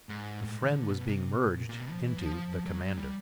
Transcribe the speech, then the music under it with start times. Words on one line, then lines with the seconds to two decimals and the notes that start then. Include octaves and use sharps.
The friend was being merged into the commander.
0.09 G#2
0.41 A2
0.62 D#3
0.73 D3
0.89 B2
1.05 C3
1.37 B2
1.53 A#2
1.69 A#2
1.80 B2
1.91 F3
2.01 E3
2.17 F3
2.66 F#3
2.81 F#3
2.97 G3